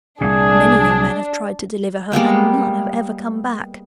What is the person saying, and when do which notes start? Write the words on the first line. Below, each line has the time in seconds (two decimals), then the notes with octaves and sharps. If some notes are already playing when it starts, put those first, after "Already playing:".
Many young men have tried to deliver her, and none have ever come back.
0.21 C2 A#2 D4 G#4
2.12 G3 G#3 A#3 B3